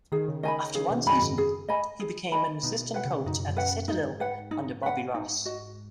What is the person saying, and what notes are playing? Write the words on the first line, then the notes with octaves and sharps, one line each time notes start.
After one season, he became an assistant coach at The Citadel under Bobby Ross.
D#3 G#4
C#3
D#3 D#5 G#5 B5
D#3
C#3 G#4
B2
F#2 D#5 G#5 B5
G#2
G#4
D#5 G#5 B5
G#4
D#5 G#5 B5
B2 D#4
B2
B4 F#5
C#3
F#2 D#4
F#2
B4 F#5
G#2 D#4
B4 F#5
D#4
B4 F#5
D#4
F#4 D#5